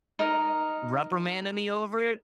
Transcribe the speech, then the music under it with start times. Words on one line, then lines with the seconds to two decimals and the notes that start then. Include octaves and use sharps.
reprimanding me over it,
0.19 D#4 A#4 D#5